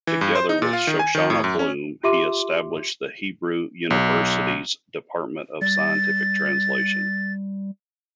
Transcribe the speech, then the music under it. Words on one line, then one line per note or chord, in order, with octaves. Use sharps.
Together with Shoshana Bloom, he established the Hebrew University's Department of Scientific Translation.
E3
G2
C5
D#4
A#2
F4
D#3
G#5
D#3
A2
F#2
C#4
F4 G4 E5 C6 D6 D#7
B1
G3 A6